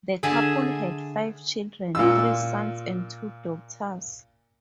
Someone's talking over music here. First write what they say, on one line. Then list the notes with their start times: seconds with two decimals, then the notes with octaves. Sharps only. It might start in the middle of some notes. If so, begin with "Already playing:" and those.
The couple had five children, three sons and two daughters.
0.23 D3 G#4 E5 G#5 A5
1.95 A#2 F4 E6